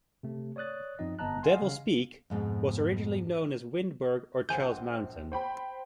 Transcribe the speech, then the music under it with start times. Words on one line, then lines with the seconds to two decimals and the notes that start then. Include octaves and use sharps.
Devil's Peak was originally known as Windberg or Charles Mountain.
0.23 C3 A3
0.56 C#5 D5 D#6 F#6 A6
0.99 F#2 F3 C4 D#4 D#5
1.19 G1 B3 D#5 A5 A#5 F#6
1.43 D#5 F5 F#5 G#5 C6
1.62 C#3 C#4 F5
2.30 F2 G#2 B2
4.49 A#1 C5 F#5 G#5 G6
5.32 C5 G5 B5